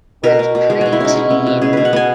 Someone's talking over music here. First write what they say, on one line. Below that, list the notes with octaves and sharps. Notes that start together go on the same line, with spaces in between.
with preteen
B2 A#4
B2
B2
G#3 G#4
B2 F#4
E4
B2 C#4 D#4
G#3 E4
B3
B2
B2 G#4
B2 B4
F#5
B3 G#5